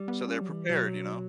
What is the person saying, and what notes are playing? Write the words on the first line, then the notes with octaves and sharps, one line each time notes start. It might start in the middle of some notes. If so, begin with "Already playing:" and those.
so they're prepared, you know?
Already playing: G3
B3
C#4
F#3
E3
B2 F#3